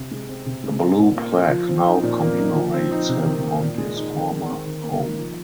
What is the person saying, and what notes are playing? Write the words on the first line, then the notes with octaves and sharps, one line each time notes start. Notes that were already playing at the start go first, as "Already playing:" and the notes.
A Blue Plaque now commemorates him on his former home.
Already playing: C3
G#3
C4
C3
G#3
C4
A#2
A#3
F4
F3
C4
D#4
A#2
A#3
D#4
F3
C4
D#4
C3
D#3
A#3
A#2
G#3
D#4
D#3
G#3
C4
D#3
A#3
D#4
F3